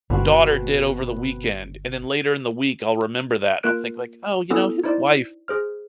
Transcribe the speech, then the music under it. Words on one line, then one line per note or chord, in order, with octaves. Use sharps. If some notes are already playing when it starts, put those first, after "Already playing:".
daughter did over the weekend, and then later in the week I'll remember that and I'll think like, "Oh, you know, his wife"
G1 B2 C4 F#4
A#3 F4 A#4 F#6 D7
B3 C#4 E4 A4 D#6 E6
D#4 E4 C5 D5
G#4 C5 F6